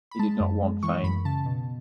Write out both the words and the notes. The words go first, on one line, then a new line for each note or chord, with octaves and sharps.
He did not want fame.
B5
G#3 A5
F#2
G#3
E3 C#6
F#2 B5
C#3 A5
B2